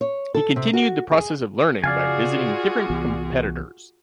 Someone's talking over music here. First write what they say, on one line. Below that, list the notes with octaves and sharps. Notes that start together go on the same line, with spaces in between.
He continued the process of learning by visiting different competitors.
C#5
A4
C3
F#4
G#4
C#3 F4 F#4 G#4 D5 F5 G#5
C2 E3 B3